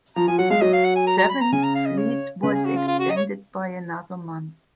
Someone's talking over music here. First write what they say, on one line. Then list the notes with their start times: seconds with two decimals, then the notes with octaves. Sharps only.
Seventh Fleet was extended by another month.
0.16 F3 A#5
0.28 F3 G#5
0.38 F#3 F#5
0.50 G#3 F5
0.61 F#3 D#5
0.73 F5
0.84 F#5
0.96 G#5
1.07 A#5
1.18 A#5
1.29 B5
1.41 A#5
1.52 C#3 G#5
1.63 A#5
1.75 F5
1.86 D#5
1.97 C#5
2.42 C#3 B4
2.54 G#4
2.65 F#4
2.76 F4
2.88 F4
2.99 F#4
3.10 D#5
3.17 C#5